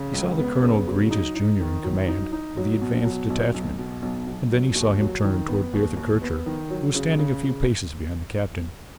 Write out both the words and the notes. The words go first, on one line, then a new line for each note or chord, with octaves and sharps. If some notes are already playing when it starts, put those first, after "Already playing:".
He saw the colonel greet his junior in command of the advance detachment, and then he saw him turn toward Bertha Kircher who was standing a few paces behind the captain.
Already playing: C#3
C#2
B3
C#3
F#3
D#4
D#4
D#3
F#3
D#4
D#4
F#3
B2
F#3
B1
B1
B2
B1
B1
F#3
D#2
F#3
D#3
B3
D#2
D#2
B3
D#3
F#3
C#3
C#3
C#3